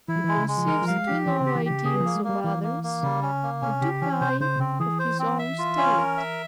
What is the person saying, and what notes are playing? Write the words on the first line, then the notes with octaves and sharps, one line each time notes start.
He conceives too low ideas of others, and too high of his own state.
E3 E4
F3
E3 G#3
C#3
G#3
F3
E3 A#4
F3
G3 F5
G#3
F3 G4
E3 C4
C#3
G4
E3
C#3 G4
C#3 G#4
G3
F3 A#3
G#3
G3 A#3
E3 A#3
A#3
A#3
C#3 G3
C#4
A#3
C3 C#4
C#3 G4
E3 C#4
C3 C5
C#3 C5
C3
C#3 C4
E3 G#4
C5
C4
E5
F4
C#4
A#4
E5